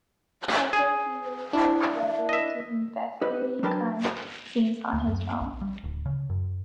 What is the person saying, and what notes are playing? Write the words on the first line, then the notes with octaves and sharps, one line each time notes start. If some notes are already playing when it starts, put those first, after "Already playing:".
However, he later graduated to investigating crime scenes on his own.
G#4 G#5
D4 E4
D#5 E5
D#4 G4 B4
F#3 D4 A#4 B4 G5 A5
D2
F#2
A#1
G3
D1
C#3
F#2